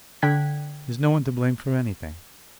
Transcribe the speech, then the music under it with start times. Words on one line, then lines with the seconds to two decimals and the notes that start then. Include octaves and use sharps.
"Is no one to blame for anything?"
0.22 D3 G5 F#6 G#6 B6